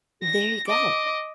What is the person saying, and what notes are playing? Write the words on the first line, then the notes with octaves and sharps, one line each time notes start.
There you go.
A#6
D#5 D6